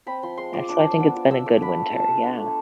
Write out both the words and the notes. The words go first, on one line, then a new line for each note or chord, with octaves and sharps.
and so I think it's been a good winter, yeah.
C4 B5
F3 C6
G#3 C6
F4 D6
D4 D6
F3
E6
B3 D6
F4
F4 E6
A3 D6
D4 B5
A3
F4 A5
A3
D4
A3